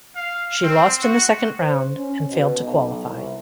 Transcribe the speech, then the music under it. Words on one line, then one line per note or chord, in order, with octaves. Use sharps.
She lost in the second round and failed to qualify.
F5
C4
F#4
C5
C#4
B2
B1
C2